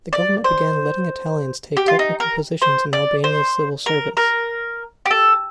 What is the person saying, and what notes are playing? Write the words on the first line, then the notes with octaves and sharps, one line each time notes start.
The government began letting Italians take technical positions in Albania's civil service.
D5
C5
G4
F4
D#4
A#4
C5
D5
C5
A#4
A#4
G4
A4